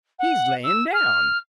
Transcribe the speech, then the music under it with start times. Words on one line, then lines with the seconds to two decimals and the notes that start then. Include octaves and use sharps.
"He's layin' down!"
0.18 F#5
0.63 E6
0.93 F6